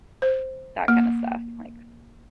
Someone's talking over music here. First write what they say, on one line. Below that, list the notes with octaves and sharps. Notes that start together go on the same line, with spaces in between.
that kinda stuff, like
C5
A#3